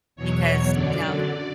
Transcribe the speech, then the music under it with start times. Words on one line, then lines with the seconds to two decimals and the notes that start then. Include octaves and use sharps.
because, you know
0.16 E2 B2 F#3 C#5
0.71 F#2 D3 F#3 D5